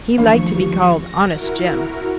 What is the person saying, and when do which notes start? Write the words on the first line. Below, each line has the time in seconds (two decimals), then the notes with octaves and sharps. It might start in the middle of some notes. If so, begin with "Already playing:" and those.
He liked to be called Honest Jim.
0.17 D#2 E3 F3 A3 D4 C#6
0.52 D3 G4
0.98 A#6
1.27 E4 F#4 A#4